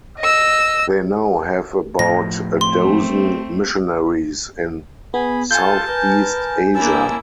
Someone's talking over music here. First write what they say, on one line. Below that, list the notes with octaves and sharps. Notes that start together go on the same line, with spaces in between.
They now have about a dozen missionaries in southeast Asia.
D#5 E6
A2 F3 A#6
A3 C4 C6
B3 G#4 B5
F4 A4 F5 G#5 A5 G6
A#4 B4
A#3 C#4 D4 E4 A5 E6